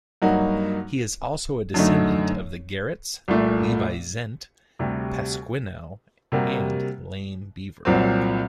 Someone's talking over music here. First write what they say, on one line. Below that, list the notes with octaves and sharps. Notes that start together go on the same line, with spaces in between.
He is also a descendant of the Garretts, Levi Zendt, Pasquinel, and Lame Beaver.
G2 F#3 A#3 D#4 F#4
F#2 D3 A3 D#4
C2 A#2 A3
D2 C3 G3
C3 G3 A#3 F#4
C2 A#2 F#3 C4